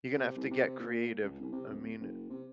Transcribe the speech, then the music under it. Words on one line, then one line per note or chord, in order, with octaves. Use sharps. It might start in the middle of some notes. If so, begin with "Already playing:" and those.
You're gonna have to get creative, I mean,
C3
C2
C3
A#2
C#2
C2
C3
D1
F#1
C3